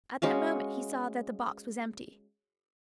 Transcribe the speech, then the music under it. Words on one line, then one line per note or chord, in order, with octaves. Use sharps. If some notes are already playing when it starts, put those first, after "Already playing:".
At that moment he saw that the box was empty.
G#3 C#4 F#4 F5